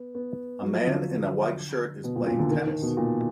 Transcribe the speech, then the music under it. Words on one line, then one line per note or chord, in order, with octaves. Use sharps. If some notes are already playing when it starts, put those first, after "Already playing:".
A man in a white shirt is playing tennis.
Already playing: B3
B3
F#3
F3
D3
D3
B2
A#2
A#2
D3
D#3
D#3
B2
A#2